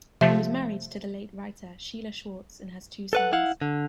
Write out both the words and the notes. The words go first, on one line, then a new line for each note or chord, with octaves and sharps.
He was married to the late writer Sheila Schwartz and has two sons.
C3 F3 A3 E5
A4 B4 F#5
E4 F5 F#5
D3